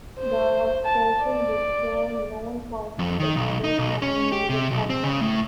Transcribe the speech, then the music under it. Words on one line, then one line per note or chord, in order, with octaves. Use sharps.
The station became known for its Big Band music format.
C5
A5
D5
F2
D#3
B1
D#4
B1
C#4
G4
C3
B1
C4
C#3
A2